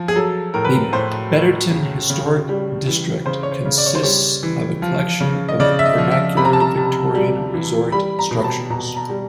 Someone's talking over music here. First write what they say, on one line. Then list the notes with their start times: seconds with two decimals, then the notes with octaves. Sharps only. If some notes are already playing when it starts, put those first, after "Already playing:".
The Betterton Historic District consists of a collection of vernacular Victorian resort structures.
Already playing: F3
0.08 G#4
0.16 F#3 A4
0.54 A2 A#4
0.65 B4
0.74 A#4
0.92 A2 C5
1.32 F#3
1.71 C#3
2.10 C#3
2.49 G3
2.87 E3
3.26 C#3 C5
3.43 C#5
3.52 C5
3.65 C#3
3.78 D5
3.86 C#5
3.95 C5
4.03 G3 C#5
4.43 E3
4.82 F3
5.20 C#3
5.49 D#5
5.60 C#3 D5
5.79 E5
5.85 D#5
5.98 F3
6.11 E5
6.37 C3 B5
6.45 A#5
6.53 A5
6.60 A#5
6.76 C3
7.15 G3
7.54 E3
7.92 G3 B5
8.19 A#5
8.31 B2
8.44 A5
8.70 B2 A#5
8.96 A#5
9.09 G3